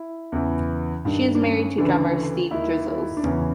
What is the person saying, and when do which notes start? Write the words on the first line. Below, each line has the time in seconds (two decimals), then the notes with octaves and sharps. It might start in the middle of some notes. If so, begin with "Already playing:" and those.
She is married to drummer Steve Drizos.
Already playing: E4
0.32 E2 C#3 E3
1.05 G2 D#3 D4
1.35 D4
1.42 C#4
1.78 D2 C#3 E3 D4
2.51 D#2 D#3 E4
2.87 E4
3.17 D4
3.23 E2 C#3 E3 C#4